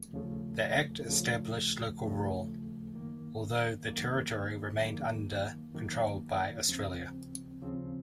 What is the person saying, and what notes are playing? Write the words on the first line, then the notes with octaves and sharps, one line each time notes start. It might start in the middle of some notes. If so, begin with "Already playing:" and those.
The Act established local rule, although the territory remained under control by Australia.
Already playing: D#2 C#3 F3 A3
D#2 C#3 F3 A3
D#2 C#3 F3 A3
D#2 C#3 F3 A3
F#2 D#3 A#3
F#2 D#3 A#3
F#2 D#3 A#3
F#2 D#3 A#3
D#2 C#3 F3 C4
D#2 C#3 F3 C4